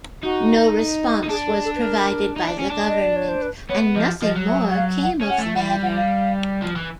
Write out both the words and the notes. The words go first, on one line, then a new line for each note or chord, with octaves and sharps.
No response was provided by the government, and nothing more came of the matter.
D#4 F#4
D#4
D4 G#4
A4
A4
B4
A#4
D#4
D4
C#4
D4
D#5
D5
C#5
C5
B4
B3 C#5
F3 D#5
F3 D#5
F#3
E5
F#5
F5
F#5
C#4
F#5
A3
G3 F#5
G5
F#5
F5
F3
E3